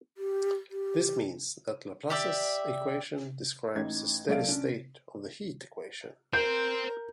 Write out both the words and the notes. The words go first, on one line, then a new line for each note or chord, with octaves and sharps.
This means that Laplace's equation describes a steady state of the heat equation.
G4
G4
G4 D5 E5
A1 D#4 G#6
B1 A#3 A4 D5 F5 D7
C#4 D4
A#4 C5 G5 G6